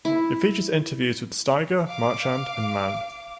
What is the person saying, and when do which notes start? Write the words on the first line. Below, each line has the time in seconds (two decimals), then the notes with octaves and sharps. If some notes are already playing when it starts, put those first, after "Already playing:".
It features interviews with Steiger, Marchand and Mann.
0.05 E4
1.86 F5 D6